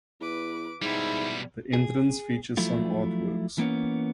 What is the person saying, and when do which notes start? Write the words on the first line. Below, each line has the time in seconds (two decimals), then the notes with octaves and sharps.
The entrance features some artworks.
0.21 E2 B4 D6
0.82 G#2 B2 G3 E4 G#6
1.73 G#4
2.57 F3 F#3 A3 E4 F4
3.58 E3 A#3 B3 C#4